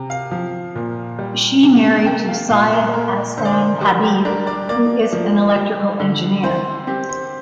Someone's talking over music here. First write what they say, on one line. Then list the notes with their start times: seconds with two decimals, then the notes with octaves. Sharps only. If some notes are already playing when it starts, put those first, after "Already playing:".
She married to Syed Ahsan Habib who is an electrical engineer.
Already playing: C3
0.10 F5
0.31 F3
0.75 A#2
1.19 G3
1.63 C3
2.06 A#3 G5
2.29 F5
2.50 A#2 F5
2.72 A#4
2.94 A#3 A#4
3.37 D3 C5
3.45 D5
3.53 C5
3.81 G3 A#4
4.03 G4
4.25 D4 A#4
4.47 D5
4.69 A#3 D5
5.12 F3
5.56 G3
6.00 D3
6.43 C4 C5
6.87 C4 G4
7.09 C5